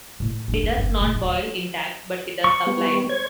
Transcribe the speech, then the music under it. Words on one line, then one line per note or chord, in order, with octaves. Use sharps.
It does not boil intact, but it does sublime.
A2
C4 D4
E3
G1
A2
D1
C#6
G3 B3
C5 C#5 G#6